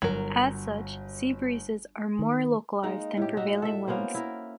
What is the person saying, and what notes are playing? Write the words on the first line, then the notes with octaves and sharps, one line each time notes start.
As such, sea breezes are more localised than prevailing winds.
G1 F#3 A#4
D#3
G#3 A#3 D#4
A2 G4
D#4 F#4 E5
A4 E5
A#3 B3 C#4 C5
E4 A#4